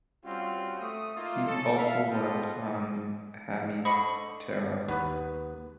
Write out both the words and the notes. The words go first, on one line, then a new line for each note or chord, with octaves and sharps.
He also worked on Hemiptera.
G3 C4 C#4 F4 F#4
A3 D#6
A3 A#3 D#4 F4
C#4 D#4 A4
A4 B4 E5 F5
B3 F4 A4 D#5 G5
D3 D#5 B5 C#6
D#2 B3 B4